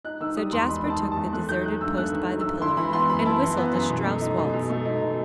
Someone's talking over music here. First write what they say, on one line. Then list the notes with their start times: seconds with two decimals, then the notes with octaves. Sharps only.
So Jasper took the deserted post by the pillar, and whistled a Strauss waltz.
0.04 D#4 F#6
0.21 D#3 E6
0.36 G3 D#6
0.53 E2 C6
0.69 D#4 B5
0.85 D#3 A5
1.01 G3
1.12 A5
1.17 E2
1.33 A3 F#6
1.49 D#3 G6
1.65 F#3 F#6
1.81 G2 E6
1.97 A3 F#6
2.13 D#3
2.29 F#3
2.40 E6
2.45 G2
2.61 E4 C6
2.77 E3 B5
2.93 B3 C6
3.09 F#2 B5
3.26 E4 A5
3.42 E3
3.57 B3
3.73 F#2
3.89 B2
4.06 A3
4.22 D#4
4.37 B2
4.54 B2
4.70 A3
4.85 D#4
5.02 B2